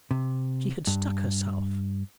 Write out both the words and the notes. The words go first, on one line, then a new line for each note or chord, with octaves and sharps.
She had stuck herself.
C3
G2